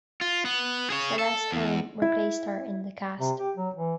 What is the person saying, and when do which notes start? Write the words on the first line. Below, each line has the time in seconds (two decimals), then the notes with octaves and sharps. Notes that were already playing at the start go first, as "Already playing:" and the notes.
Celeste Holm replaced her in the cast.
0.21 F4
0.45 B3
0.90 G#4 C#5
1.19 A4
1.52 E2
2.02 E4
3.20 C3
3.39 G4
3.56 F#3
3.76 E3